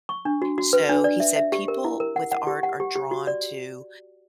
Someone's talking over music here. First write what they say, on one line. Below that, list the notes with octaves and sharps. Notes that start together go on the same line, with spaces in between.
So, he said, "People with art are drawn to
C#6
D4
F#4
F#4
B4
D4
D5
E5
E5
G4
A#4
E4
A#4
F#5
F#5
G4
F#5
G4
G4
F#4
D5